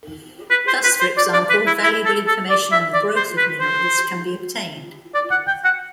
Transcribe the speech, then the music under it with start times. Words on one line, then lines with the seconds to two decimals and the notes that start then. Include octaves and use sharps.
Thus, for example, valuable information on the growth of minerals can be obtained.
0.51 B4
0.67 C5
0.84 B4
1.00 C5
1.17 D5
1.33 D5
1.50 B4
1.67 E4
1.83 E4
2.05 A4
2.27 A4
2.49 D5
2.72 E5
2.94 D5
3.16 C5
3.37 B4
3.60 C5
5.15 D5
5.31 F#5
5.47 G5
5.64 F#5